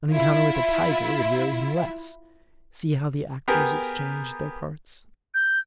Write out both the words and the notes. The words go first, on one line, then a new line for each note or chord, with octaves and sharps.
An encounter with a tiger would weary him less; see how the actors exchange their parts.
E4 F4 E5
B3 G4 G#4 A#4
G6